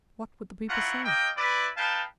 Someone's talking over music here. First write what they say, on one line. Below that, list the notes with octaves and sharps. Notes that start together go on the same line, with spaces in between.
What would the people say?
A3 E4 F4 A#4 C#5 F#5
A#3 D#5 G5
E4 B4 D5
D#4 B4 F5 G5 A5